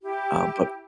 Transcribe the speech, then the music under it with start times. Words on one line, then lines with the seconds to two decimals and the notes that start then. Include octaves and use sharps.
Uh, but
0.03 E4 G4